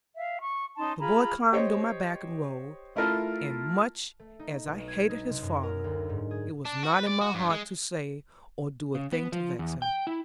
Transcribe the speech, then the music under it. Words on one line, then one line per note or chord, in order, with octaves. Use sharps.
The boy climbed on my back and rode; and much as I hated his father, it was not in my heart to say or do a thing to vex him.
E5 F5
C#6
C#4 D#4 A5 C6
F4 G#4 A#5 B5
G4 C5 C#5 D#5
A3 E4 F4 A#4 E5 A5
A3
D#4
B1
G#6
D#4
C3
F#2
A#4
D2
G#2
G#4
D4
F#4
B4
D5
F#4
G2
G#3
C#3
B3
F3
E2
G5
E4